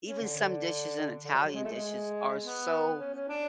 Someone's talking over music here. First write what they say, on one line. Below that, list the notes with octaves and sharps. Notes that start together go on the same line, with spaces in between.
even some dishes in Italian dishes are so
C#4
D3
D3
D3
F#3
F#3
G#3
A3
G#3
B3
C#4
C#4
D4